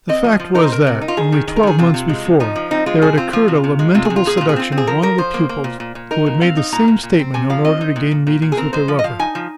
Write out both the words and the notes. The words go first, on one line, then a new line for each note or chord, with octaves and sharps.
The fact was that, only twelve months before, there had occurred a lamentable seduction of one of the pupils who had made the same statement in order to gain meetings with her lover.
C4 D#5
F3
F3
D#4 A#4
C5
C3 A#4
C3
D#4
F4
D#3 G#4
D#3
D#3
A#4
D#3 G#4
C3 F4
C3
G#3
C3
F3 D#4
F3
C4 D#4
G#3 F4
C3 G#4
C4 F4
F3 F4
C3
C3
G#3
C3 F4
G#4
C3
F4
A#2 G#4
A#2 F4
G#4
C4 F4
C4
G#4
F3 A#4
F3 A#4
F3 C5
A#3
A#3
A#2
A#2
A#2
D#4 A#4
A#2
C4 F5
D#4
A#2 A#5
A#2
A#2
C4
C3 G#5
F3 F5
C4 D#5
D#4
A#2
A#2
A#2
A#2
G#4
C4 A#4
G#3 C5
F3
D#5
F3 F5
D#4 G#5
F3